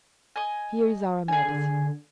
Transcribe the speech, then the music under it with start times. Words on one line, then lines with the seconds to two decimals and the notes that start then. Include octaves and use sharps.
Here is our medicine.
0.36 D#5 G#5
1.28 D3 G#4 G#5